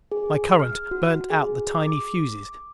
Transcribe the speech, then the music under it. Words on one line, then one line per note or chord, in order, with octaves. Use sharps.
My current burned out the tiny fuses.
G#4
F6
F#4
G#4
D6